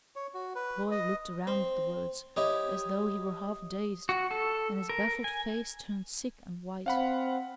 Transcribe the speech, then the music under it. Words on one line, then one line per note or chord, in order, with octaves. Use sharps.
The boy looked around at the words, as though he were half dazed, and his baffled face turned sick and white.
C#5
F#4
B4
D#5
C4 C5
E4 G4 C#5 D#5 D#6
F#4
A4
A#4
G#5
C4 F5 F#5 B5